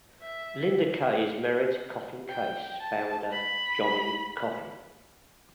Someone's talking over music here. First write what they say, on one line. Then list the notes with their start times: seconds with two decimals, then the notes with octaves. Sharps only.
Lynda Kay is married to Coffin Case founder Jonny Coffin.
0.22 E5
2.29 G5
2.81 A5
3.32 B5